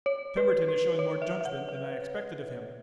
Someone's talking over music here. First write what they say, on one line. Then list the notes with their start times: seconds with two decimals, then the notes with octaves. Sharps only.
Pemberton is showing more judgment than I expected of him.
0.06 C#5
0.37 B4
0.69 B4
0.99 C#5
1.22 E5
1.41 E5
1.45 F#5
1.69 E5